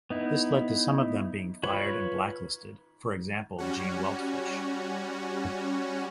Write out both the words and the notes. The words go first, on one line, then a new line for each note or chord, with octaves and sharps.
This led to some of them being fired and blacklisted, for example Gene Weltfish.
B3 D#4 E4
F4 B4 C#5 B5
G3 C#4 F#4